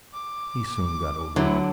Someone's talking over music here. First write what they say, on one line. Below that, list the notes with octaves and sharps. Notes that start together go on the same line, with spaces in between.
He soon got over it.
D6
D2 D3 F#3 E4